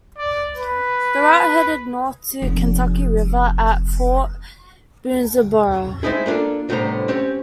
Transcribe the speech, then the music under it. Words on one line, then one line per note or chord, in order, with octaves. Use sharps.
The route headed north to the Kentucky River at Fort Boonesborough.
D5
B4
F1 A#3
G#3 A3 C4 D#4 E4 G#4
A#3 B3 D4 F4 A4
C2 A2 D3 B3 C5 A#5
C4 C#4 G4 C#5